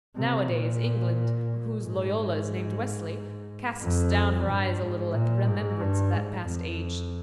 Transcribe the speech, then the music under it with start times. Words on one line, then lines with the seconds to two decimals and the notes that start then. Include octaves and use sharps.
Nowadays England, whose Loyola is named Wesley, casts down her eyes a little at the remembrance of that past age.
0.16 C3
0.49 A#2
1.81 G#2
3.81 F2
4.48 G2
4.81 G#2
5.14 A#2
5.47 G#2
5.80 G2
6.13 G#2
6.47 F2